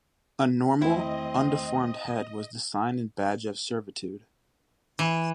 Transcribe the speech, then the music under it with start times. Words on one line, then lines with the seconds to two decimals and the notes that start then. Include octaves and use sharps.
A normal, undeformed head was the sign and badge of servitude.
0.82 E2 D#3 A3 C4 E4 D#5
4.99 E3